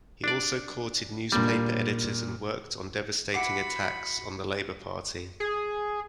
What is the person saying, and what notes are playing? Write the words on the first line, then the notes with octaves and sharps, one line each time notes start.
He also courted newspaper editors and worked on devastating attacks on the Labour Party.
D4 D5
A#2 G3 A#3 D4
E4 F#4 F#5 B5 D6 C7 C#7
G#4